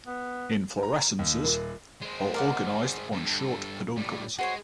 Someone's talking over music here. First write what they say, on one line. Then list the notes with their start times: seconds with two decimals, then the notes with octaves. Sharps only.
Inflorescences are organized on short peduncles.
0.07 B3
0.83 A#5
1.19 D#2
1.44 D#1 F4 A#4
2.02 G#3 C4
2.34 A#4 D5 F#5
3.12 G2 A4
3.96 A2 G3
4.39 G#3 F#4 C5 C#5